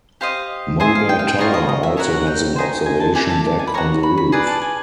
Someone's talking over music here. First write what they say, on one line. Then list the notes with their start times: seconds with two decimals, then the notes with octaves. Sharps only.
Moda Tower also has an observation deck on the roof.
0.21 G4 C5 D#5 F5
0.80 G#4 C5 D#5 E5
0.95 F5
1.09 G5
1.19 F5
1.28 G5
1.39 F4 A#4 C#5 D#5
1.54 D#5
1.69 D#5
1.83 E5
1.97 F#4 A#4 C#5 E5
2.13 F#5
2.27 G5
2.56 D#4 G#4 C5
2.86 G#5
3.00 A5
3.15 E4 A4 D5 G#5
3.30 A5
3.44 A5
3.59 G#5
3.67 B5
3.74 F#4 A#4 C#5 A#5
4.03 B5
4.18 B5
4.32 G#4 B4 D5 A#5
4.47 A5
4.62 G#5